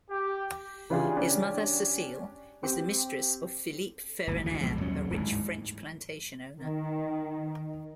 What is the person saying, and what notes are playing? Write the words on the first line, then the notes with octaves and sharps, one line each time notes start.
His mother, Cecile, is the mistress of Philippe Ferronaire, a rich French plantation owner.
G4
C#3 E3 D4 F4 G4 G#4
C#4 D4 G4
C4 G4
D1 G#1 D#2
D2 E3
B1 A#2 F3 G#3
D#2 F#3 G3 C#4
D1 D2 G#2 E3
D#3